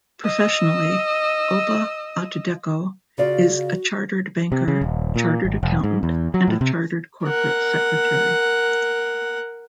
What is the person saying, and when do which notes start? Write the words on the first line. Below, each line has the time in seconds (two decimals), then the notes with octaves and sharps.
Professionally, Oba Otudeko is a Chartered Banker, Chartered Accountant and a Chartered Corporate Secretary.
0.22 D#5 E6
3.18 C#3 F4 F#4 D5
4.52 C3
4.68 C#3
4.81 D#1
5.16 A#2
5.45 G#1
5.63 E1
5.83 G#2
6.03 E2
6.34 F#3
6.48 A2
6.61 C3
7.25 A#4 F#5